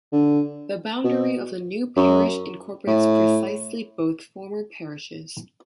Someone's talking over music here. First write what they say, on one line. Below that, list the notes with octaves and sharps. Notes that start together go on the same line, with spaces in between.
The boundary of the new parish incorporates precisely both former parishes.
D3
B2
F#2
A2